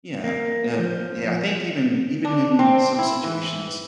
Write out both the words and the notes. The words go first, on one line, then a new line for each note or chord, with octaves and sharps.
Yeah, uh, yeah, I think even even in some situations,
A#3
F3
D4
C4
E4
E3